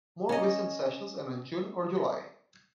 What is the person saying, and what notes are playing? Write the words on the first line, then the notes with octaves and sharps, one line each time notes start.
More recent sessions ended in June or July.
C#4 D#5